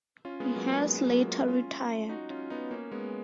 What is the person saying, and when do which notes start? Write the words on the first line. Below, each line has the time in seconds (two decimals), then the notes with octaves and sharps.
He has later retired.
0.25 C#4 F4
0.40 G#3 B3
0.55 F#3 A#3
0.71 G#3 B3
0.87 G#3 B3
1.07 F#3 A#3
1.27 C#4 F4
1.48 C#4 F4
2.09 D#4 F#4
2.30 C#4 F4
2.50 B3 D#4
2.71 A#3 C#4
2.92 G#3 B3